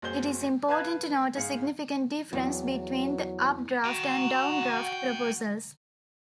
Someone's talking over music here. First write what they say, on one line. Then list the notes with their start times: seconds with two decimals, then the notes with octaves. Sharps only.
It is important to note a significant difference between the up-draft and down-draft proposals.
0.02 F#1 F#3 G#4 C5 G6 G7
0.68 B4 F5 A5 F#6 G#6
1.36 G#2 G#4 F5 C#7
2.33 E2 F#3
3.84 F#4 F#5 G5 A#5